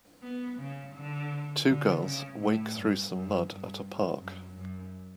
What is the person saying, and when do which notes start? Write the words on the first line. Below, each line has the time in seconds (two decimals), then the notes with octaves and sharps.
Two girls wake through some mud at a park.
0.23 B3
0.58 C#3
0.95 D3
1.66 D3
2.03 C#3
2.39 A2
2.75 G2
3.12 F#2
3.48 G2
4.20 F#2
4.57 F#2